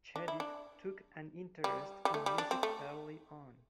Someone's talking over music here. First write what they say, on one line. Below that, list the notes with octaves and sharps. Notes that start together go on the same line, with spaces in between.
Chedid took an interest in music early on.
D4
E4
D4
G3
G3
A3
G3
D4
C4
A3